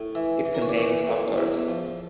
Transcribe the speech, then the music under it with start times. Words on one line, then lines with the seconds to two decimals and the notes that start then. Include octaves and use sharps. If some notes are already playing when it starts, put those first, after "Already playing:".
It contains of earth.
Already playing: A2
0.15 E3 E5
0.45 E3
0.55 A#4
0.62 C#5
0.69 D5
0.76 E3 E5
1.07 A2
1.38 E2 E5
1.59 E5
1.68 F3